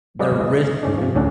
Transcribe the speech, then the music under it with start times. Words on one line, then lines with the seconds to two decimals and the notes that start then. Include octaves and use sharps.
the risk
0.19 F#3 G#3 B4 D5 D#5 F5
0.38 G#3 E4 D#5
0.83 G#2 C#4 D4
0.98 C3 F3
1.15 D2 A2 C#4 D4 A4 F#5